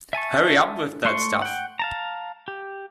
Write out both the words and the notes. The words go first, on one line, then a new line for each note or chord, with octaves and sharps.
Hurry up with that stuff.
E5 G#5 A5 C#6
A3 C6 C#6
F#5 G5
F5 A5 A#5
G4